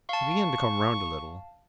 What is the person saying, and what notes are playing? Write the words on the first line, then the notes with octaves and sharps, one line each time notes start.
He began to come round a little.
F5 A5 C#6